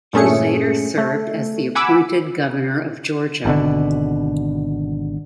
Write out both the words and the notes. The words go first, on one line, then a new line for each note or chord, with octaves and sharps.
He later served as the appointed governor of Georgia.
G2 A#2 A3 C#4 G#4 C#7
A3
F#5 G#5 B5 D6 E6
G#1 B2 D3